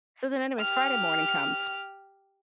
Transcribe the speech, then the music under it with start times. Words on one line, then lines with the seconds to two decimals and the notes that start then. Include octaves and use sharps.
So then anyways, Friday morning comes
0.59 G4 F6